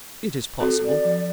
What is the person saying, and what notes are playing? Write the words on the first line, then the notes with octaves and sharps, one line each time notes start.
"It is possible."
C4 F#4 A4
D5
F3